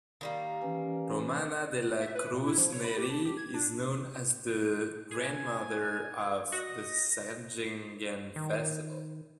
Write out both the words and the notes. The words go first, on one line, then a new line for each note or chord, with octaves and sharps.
Romana dela Cruz-Neri is known as the Grandmother of the Sagingan Festival.
D#3 G3 A#3
E3 C#4
E5
B4
A#2
E4
F3
C#5
B5
G4
A5
G4
G#6
D4
G#4 G#5 G#6
F#4 D#5 A#6
D#3